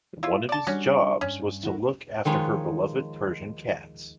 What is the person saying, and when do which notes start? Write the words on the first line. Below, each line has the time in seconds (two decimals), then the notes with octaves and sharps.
One of his jobs was to look after her beloved Persian cats.
0.23 E4 F4
0.49 D5 A5
0.67 G3 C#4 D4 F#4
1.21 G2 C#4
1.63 E4 F#4 A#4
2.25 D#3 F3 G#3 C#5